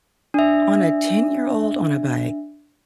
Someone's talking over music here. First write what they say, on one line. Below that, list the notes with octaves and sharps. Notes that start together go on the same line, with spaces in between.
On a ten-year-old on a bike.
D4 E5